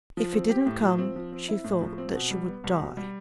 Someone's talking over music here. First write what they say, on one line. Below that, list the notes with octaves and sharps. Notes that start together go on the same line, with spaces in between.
If he didn't come she thought that she would die.
F3
C4
G4
A2
F3
C4
F3
C4
E4
A2
F3
C4
B2
G3
B3
C2
B2
G3